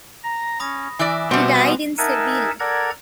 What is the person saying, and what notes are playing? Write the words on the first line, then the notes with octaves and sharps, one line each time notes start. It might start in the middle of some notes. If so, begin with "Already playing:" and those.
He died in Seville.
A#5 A#6
C#4 B5 D#6 A#6
E3 D5 E5 G#5 D6 F#6
G3 B3 C4 F#4
D#4 A#4 E5 F#5 G#5 A5
A4 A#4 D5 F#5 A#5 G#6